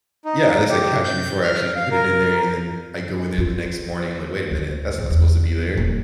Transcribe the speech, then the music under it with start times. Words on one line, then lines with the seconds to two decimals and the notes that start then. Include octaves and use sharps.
Yeah, at least I catch it before I actually put it in there, and then I go in there the next morning. I'm like, "Wait a minute. That's not supposed to be there."
0.25 D#4
0.70 G4
1.04 G6
1.43 F6
1.75 F5
1.91 A#4
3.38 F4
4.51 D2
4.98 C#2
5.11 E2
5.77 D#1